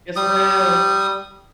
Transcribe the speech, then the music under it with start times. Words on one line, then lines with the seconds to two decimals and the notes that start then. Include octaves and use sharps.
Yes, ma'am.
0.16 G3 D#6